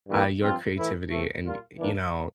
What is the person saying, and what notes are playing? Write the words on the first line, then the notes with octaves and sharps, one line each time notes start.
uh, your creativity and, you know,
G2 E3 A#3 E4 G4
G2 F3 C4 F4
A2 E3 A3 E4
C3 E3 A3
A#2 G3 A#3 F4
E3 A#3 D4